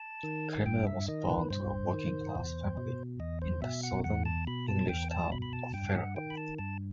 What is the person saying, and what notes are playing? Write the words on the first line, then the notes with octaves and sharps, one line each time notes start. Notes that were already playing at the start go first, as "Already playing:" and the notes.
Cremer was born to a working-class family in the southern English town of Fareham.
Already playing: A5
D#3
G2 G5
E5
D#3 D#5
B4
G2 C5
D#3
E2
B2
E2 D#5
C5
B2 E5
F#5
E2 F#5
A5
B2 B5
A5
E2 G5
A5
B2 B5
B5
A5
G2 G5
F#5
D#3 G5
B5
A5
G2 A5